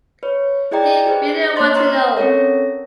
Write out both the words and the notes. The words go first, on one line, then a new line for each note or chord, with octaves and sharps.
You really want to know?
B4 C#5
E4 G#4 D5 D#5 G5 A#5
G4 G#4 B4 C5
A#3 C5 C#5 D#5 C6 A6
A#5 C6 F6
C4 C#4 A4 A#4 C#5 A#6